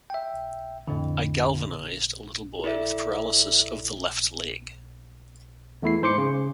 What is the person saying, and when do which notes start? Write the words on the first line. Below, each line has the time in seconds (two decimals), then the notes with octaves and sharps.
I galvanized a little boy with paralysis of the left leg.
0.10 E5 G5
0.88 F2 A2 D3
2.64 E4 A4 D5 E5
5.82 E2 A3 E4 C7
6.03 G#2 C5 C6 D6 C#7
6.18 C#3